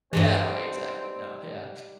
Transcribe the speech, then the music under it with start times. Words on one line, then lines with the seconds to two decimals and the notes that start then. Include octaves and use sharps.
Yeah, right, exactly no, yeah.
0.13 G2 E3 G3 C4 D#4 A5